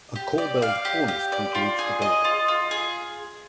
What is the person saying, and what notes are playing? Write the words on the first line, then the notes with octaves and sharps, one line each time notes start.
A corbelled cornice concludes the building.
G4
D5
F5
G4
G4
D5
F4
G#4
D#5
F4
F4
G#4